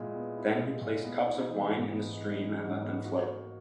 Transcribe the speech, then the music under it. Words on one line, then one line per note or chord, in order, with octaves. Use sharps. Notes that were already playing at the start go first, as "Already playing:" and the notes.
Then he placed cups of wine in the stream, and let them float.
Already playing: A#2 G#3 E4
B3
E4
G#3
A#2
B3
D#4
E3
G#2
B3
D#4
E3
G#2
B3
F#4
A#3